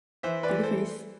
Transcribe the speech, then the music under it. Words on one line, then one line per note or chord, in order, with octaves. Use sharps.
Dirty Face!
E3 C5 E5
B4 D5
E3
A4 C5